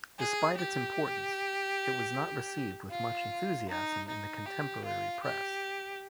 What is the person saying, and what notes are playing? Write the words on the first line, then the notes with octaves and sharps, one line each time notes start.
Despite its importance, it was not received with much enthusiasm in the contemporary press.
G#4
G4
F4
D#4
D#4
G4
F4
G4